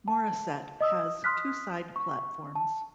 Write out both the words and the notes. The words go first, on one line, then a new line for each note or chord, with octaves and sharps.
Morisset has two side platforms.
A5
D#5 D#6 E6
C6 D#6 F6 F#6 B6
C#6
A5